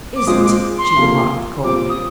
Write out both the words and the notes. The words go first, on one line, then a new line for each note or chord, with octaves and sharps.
"Is it!" she remarked coldly.
D6
A#2 G#3 C4 D#6
D#6
D6
C6
C3 F3 A#3
A#2 G3 C4 D6
D#6